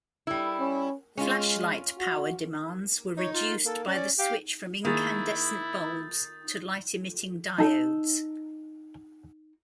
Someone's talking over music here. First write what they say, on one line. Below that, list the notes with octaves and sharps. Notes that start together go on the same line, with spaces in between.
Flashlight power demands were reduced by the switch from incandescent bulbs to light-emitting diodes.
G3 E4
C#4
G#3 C#4 F4
F#4
D#4 C#5
F4
A#3 A4
C#4 D5
G4 F5
D#3 A#3 E4 G#4 D#6 G6 A6
D#4 A4